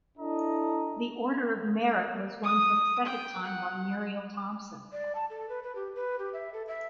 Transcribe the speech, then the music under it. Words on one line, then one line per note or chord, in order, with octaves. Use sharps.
The Order of Merit was won for the second time by Muriel Thomson.
D4 E4 A4 D#5 A#5
D#6
G5
F#5
D5
A5
A4
B4
B4
G4
B4
G4
E5
A4
E5